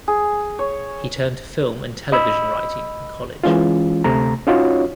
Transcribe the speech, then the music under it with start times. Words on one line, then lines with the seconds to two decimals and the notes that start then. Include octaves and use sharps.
He turned to film and television writing in college.
0.08 G#4
0.59 C#5
2.12 D#5 B5 E6
3.44 E3 G#3 C#4 F4
4.04 D2 C3 A3 A#5
4.47 C#4 D#4 F4 F#4 C#5